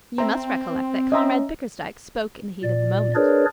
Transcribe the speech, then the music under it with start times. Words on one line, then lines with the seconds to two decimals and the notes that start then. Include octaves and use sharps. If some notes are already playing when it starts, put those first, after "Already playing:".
You must recollect that Comrade Bickersdyke spoke in the heat of the moment.
0.18 C4 E5 A#5
1.12 C#4 D#5 E5 A#5
2.63 A#2 D5
3.15 D4 G#4 A#4 B4 C#5 D5